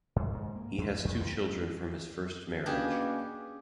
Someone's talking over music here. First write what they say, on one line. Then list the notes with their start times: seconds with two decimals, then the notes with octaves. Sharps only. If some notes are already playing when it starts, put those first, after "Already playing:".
He has two children from his first marriage.
0.16 G2
0.34 G#2
0.55 A#3
0.78 E2
1.05 F2
1.20 D#2
2.66 B2 A#3 C#4 D4 G4 G#4